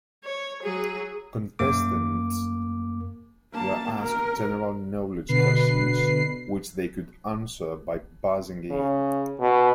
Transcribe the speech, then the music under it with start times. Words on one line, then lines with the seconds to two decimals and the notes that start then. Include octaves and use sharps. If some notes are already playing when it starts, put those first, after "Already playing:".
Contestants were asked general knowledge questions, which they could answer by buzzing in.
0.24 C#5
0.62 F#3 G#4
1.59 F#2 A#3 D6
3.52 A#3 A5
4.00 A#4
5.29 B2 D3 B4 C7
8.70 C#3
9.40 B2